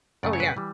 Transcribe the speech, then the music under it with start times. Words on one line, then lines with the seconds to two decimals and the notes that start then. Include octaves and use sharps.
Oh yeah.
0.23 F#2 C#3 F#3 A3 D5
0.33 C#5
0.40 B4
0.57 E3 G3